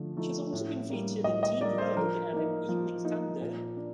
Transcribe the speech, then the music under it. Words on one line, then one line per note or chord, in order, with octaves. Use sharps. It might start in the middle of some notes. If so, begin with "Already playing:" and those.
She has also been featured in "Teen Vogue" and in "Evening Standard".
Already playing: D3 F3 A3
F3 A3 D#4
A2
G3 A#3 D4
A2 D#5
D#5
G3 A#3 D4 D5
C5
F3 A#4
A#3 D#4
F3
A#3 D#4
A#2
D4